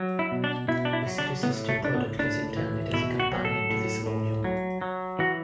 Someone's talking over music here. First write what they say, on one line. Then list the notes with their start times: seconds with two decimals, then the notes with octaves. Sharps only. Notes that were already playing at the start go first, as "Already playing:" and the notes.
The "City System" product is intended as a companion to this volume.
Already playing: F#3
0.19 E4
0.32 B2
0.44 D4
0.68 B2 E4
0.85 D4
0.93 E4
1.06 F#3
1.18 D4
1.43 A2 B3
1.69 A3
1.82 A2 D4
1.94 B3
2.19 A2 D4
2.57 E3
2.93 B2 E4
3.20 F#4
3.32 F#3
3.45 A4
3.70 A2
4.06 A2
4.44 F#3
4.81 F#3
5.19 E3 F#4